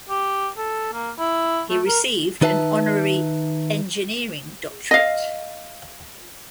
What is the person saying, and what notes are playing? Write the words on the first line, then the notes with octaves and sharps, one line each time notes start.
He received an honorary Eng.D.
G4
A4
A#3
E4
A3
A#4
D#3 D#4 B4 E5 A5
D#5 F5